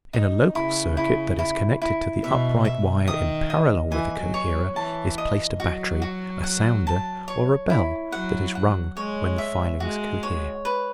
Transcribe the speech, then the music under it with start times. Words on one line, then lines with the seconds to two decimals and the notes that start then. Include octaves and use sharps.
In a local circuit that is connected to the upright wire in parallel with the coherer is placed a battery, a sounder, or a bell, that is rung when the filings cohere.
0.13 D#4
0.55 C#3 E4
0.97 E4
1.39 E4
1.82 E4
2.24 B2 E5
2.65 E5
3.08 D#3 D#6
3.50 D#5
3.91 E3 G#5
4.20 F#3
4.34 C#5
4.48 F#3
4.75 E3 A5
5.18 D#5
5.60 F#3 F#4
6.02 F#4
6.44 F#5
6.87 A5
7.28 C#5
7.70 E4
8.12 F#3 F#5
8.55 F#5
8.97 G#3 C#5
9.38 E5
9.80 G#3 F#4
10.23 C#5
10.65 B4